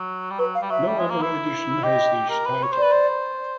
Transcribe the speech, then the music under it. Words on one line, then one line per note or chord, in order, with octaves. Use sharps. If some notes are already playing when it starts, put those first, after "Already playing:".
No other edition has this title.
Already playing: F#3
G3
F#3 B4
F5
G3
F#3 E5
G3
G#3
A#3
E4
G4 D#5
A#4
B4
C#5
C5
B4 D5
C5